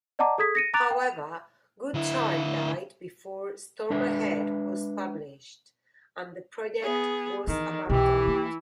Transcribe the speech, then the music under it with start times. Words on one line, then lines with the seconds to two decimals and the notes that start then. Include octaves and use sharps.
However, Goodchild died before "Storm Ahead" was published and the project was abandoned.
0.19 D5 D#5 F#5 A5 A#5 D6
0.38 G#4 A4 D#6 G#6 B6
0.55 A#6 C#7 D#7
0.74 A#5 D6 F#6 A6 D7 F7
0.91 G5
1.94 D3 E4
3.90 G#3 D4 B4 E5
6.82 B3 G#4
7.47 D#3 E3
7.89 B1 B2 E3 E4 G4
8.27 A#3